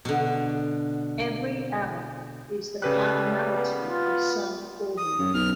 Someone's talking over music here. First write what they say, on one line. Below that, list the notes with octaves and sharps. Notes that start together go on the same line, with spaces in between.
Every aleph is the cardinality of some ordinal.
B2 D3
C#3 G3 A4 B4 F#6
B3
F4
D#6
F#2
B1 F6